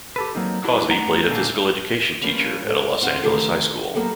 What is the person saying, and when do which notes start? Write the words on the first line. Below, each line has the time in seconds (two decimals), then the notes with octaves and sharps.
Cosby played a physical education teacher at a Los Angeles high school.
0.16 G4 A4 B4
0.35 F#3 A#3 C4 D#4
0.64 F#3 D4 E4 G4
0.90 A3 D#4 G4 F#5 A#5
1.30 A#2 D3 A3 A#3
2.21 F3 G3 A#3 C#4 B4
2.63 G#2 A4
3.02 C4 F4 E5 F#5
3.24 C3 D#3 F3 A3 G4 A4
3.94 F#3 A#3 B3 G4 A4